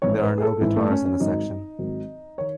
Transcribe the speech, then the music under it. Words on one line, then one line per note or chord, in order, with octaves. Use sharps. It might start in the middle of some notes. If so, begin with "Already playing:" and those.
There are no guitars in this section.
A1 G#2 E3 C#5
B4
G#4
A4
A1 G#2 E3 E4
A3
C#4
C#4
G#1 G#2 D#3 F#3 D#4
G#1 G#2 D#3 F#3
D#3 C#5